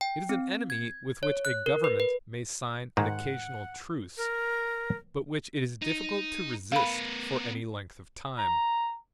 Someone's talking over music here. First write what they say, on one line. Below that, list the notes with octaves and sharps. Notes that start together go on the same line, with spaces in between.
It is an enemy with which a Government may sign an occasional truce, but which it is difficult to resist for any length of time.
G5
C4
G#6
C#5
F#6
A#4
B4
B4
G#2 D#3 G#3 F#5
A#4
D#4
B3 A#4 F5 B5
A#5